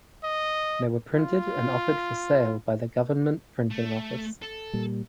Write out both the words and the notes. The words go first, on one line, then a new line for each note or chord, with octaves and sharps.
They were printed and offered for sale by the Government Printing Office.
D#5
F4
A3
A4
A#2 G3